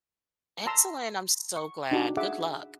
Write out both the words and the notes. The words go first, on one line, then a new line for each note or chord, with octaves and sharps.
Excellent, I'm so glad. Good luck.
A5 A#5 C6 E6
C#6
D4 D#4 F#4 G4
G#4 E5 F#5 D6